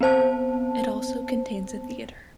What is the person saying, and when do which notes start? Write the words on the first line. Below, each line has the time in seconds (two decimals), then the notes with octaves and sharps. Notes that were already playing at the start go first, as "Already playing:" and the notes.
It also contains a theatre.
0.01 B3 C4 C5 A5